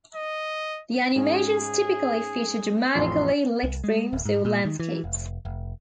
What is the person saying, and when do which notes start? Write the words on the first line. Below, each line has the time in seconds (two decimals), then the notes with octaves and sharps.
The animations typically feature dramatically-lit rooms or landscapes.
0.15 D#5
1.16 G#2 C#4 G#4
2.94 A1 F2 C6 C7
3.63 C2
3.84 G#3
4.13 D1
4.25 G#2
4.45 A#2
4.65 D#3
4.80 E3
5.04 F1
5.45 F1